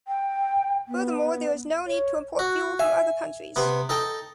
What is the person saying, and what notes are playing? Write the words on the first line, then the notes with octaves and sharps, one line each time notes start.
Furthermore, there is no need to import fuel from other countries.
G5
B3
C#5
F#4
E5 G#5
C3 B3
D#4 A4 G5